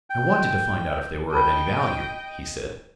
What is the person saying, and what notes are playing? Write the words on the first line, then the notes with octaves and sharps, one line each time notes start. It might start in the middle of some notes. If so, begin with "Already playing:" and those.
"I wanted to find out if they were of any value," he said.
G5
D#5 G5 A5 B5